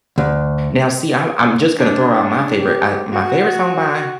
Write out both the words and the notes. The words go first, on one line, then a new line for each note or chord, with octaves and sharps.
Now see, I'm I'm just gonna throw out my favorite, uh, my favorite song by,
D2
D4
G4
F#4